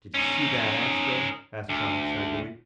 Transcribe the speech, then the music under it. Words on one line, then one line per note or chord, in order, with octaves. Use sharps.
"Did you see that, Astro?" asked Tom excitedly.
C#4 D#4
D2